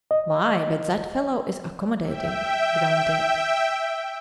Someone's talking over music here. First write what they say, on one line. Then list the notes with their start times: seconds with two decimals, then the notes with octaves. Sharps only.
"My, but that fellow is accommodating!" groaned Dick.
0.11 D#5
2.03 E5 G5